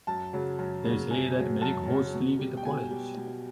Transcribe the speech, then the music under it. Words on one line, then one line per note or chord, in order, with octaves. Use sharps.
They say that many ghosts live in the college.
F#2 A5
C#3 F#3
F#2
C#3 F#3
F#2 G#5
C#3 F#3
F#2 A5
C#3 F#3
B2
G3
G5
B2 G#5
G3
B2